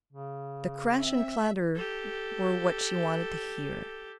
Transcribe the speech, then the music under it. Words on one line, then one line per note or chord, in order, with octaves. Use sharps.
The crash and clatter were what she wanted to hear.
C#3
C4 E5
G4 A4